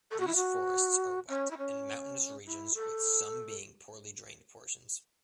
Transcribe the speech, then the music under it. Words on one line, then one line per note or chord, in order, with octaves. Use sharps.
These forests are wet and mountainous regions with some being poorly drained portions.
A4
F#4
E4
F#4
C#4
E4
C#4
E4
A4